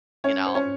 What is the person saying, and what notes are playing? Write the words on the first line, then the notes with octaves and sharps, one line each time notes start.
you know?
C#4 C#5
C5
C#4 C#5